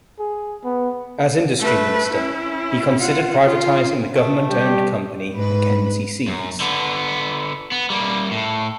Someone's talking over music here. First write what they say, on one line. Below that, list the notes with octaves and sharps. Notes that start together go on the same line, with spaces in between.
As Industry Minister, he considered privatizing the government-owned company McKenzie Seeds.
G#4
B3
A3 B4
C#4 E4
F4 F#5
F4
A3
G3 G4
G#2 B4
F#2
D3 B3
B3
G3 A#3
A2